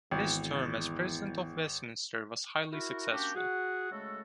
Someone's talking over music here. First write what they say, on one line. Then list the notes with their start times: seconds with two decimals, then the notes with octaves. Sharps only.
His term as president of Westminster was highly successful.
0.11 G#1 E2
2.72 E4 F#4 A#4
3.10 A#3 C#4 D4 F#4 G4
3.35 F#4 G#4 F#5
3.91 C#3 G#3 A3 F#4 A4